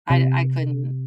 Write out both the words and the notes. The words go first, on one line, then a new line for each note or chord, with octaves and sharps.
I I couldn't.
C3